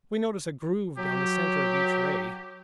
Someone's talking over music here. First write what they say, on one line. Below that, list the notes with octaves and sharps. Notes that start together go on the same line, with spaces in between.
We notice a groove down the centre of each ray.
F#3 G4